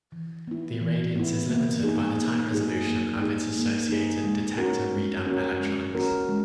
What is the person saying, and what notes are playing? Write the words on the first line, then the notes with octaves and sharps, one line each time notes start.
The irradiance is limited by the time resolution of its associated detector readout electronics.
E3
B3 E4
E3
B3 E4
A#3
D#4 G#4
A#3
D#4 G#4
A#3
D#4 G#4
A#3
D#4 G#4
G#3
C#4 F#4 A#4
G#3
C#4 F#4 A#4
G#3
C#4 F#4 A#4
G#3